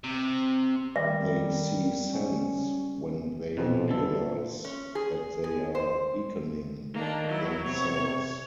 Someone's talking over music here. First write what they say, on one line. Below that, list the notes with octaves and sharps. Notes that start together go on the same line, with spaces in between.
They see sense when they realise that they are weakening themselves.
C3
D#3 G3 E5
C#4
A#1 F2 B2
G1 D3 E3 A4
A#2
C#4
G#4
G#4
C5
D#3 A#3 D4
F#3 E4
C3 C#5